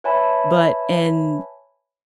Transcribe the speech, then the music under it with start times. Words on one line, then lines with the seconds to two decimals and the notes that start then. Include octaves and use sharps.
but in
0.04 B4 C#5 E5 G#5 A5 B5